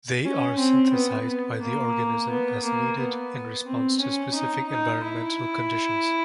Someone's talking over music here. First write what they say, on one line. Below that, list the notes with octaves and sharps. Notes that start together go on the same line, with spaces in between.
They are synthesized by the organism as needed, in response to specific environmental conditions.
C#4
C4
B3
B3
A#3
B3
A#3
B3
C4
C#4
D#4
D#4
E4